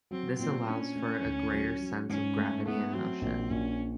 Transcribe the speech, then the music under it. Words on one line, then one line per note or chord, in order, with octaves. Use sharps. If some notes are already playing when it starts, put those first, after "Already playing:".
This allows for a greater sense of gravity and motion.
F#3 C4
A#2 C4
C#4 D4
A3
D2
F#3
F#3
G#2 C#4
A3
A3 B3
F#3 C4
A#1 C4
A#1 C#4